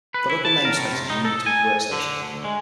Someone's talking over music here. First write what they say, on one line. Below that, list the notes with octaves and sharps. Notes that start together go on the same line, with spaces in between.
The local name space is unique to each workstation.
B4
E4
A5
A#4
A2
C3
D#4
A4
G#5
D3
D2
G#3